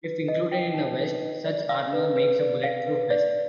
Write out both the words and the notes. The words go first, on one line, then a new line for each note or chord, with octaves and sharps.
If included in a vest, such armor makes a bullet-proof vest.
B4
D#5
G5
D#4
B4
D#5
D5
F5
B4
B4
D5
F5
B4
D5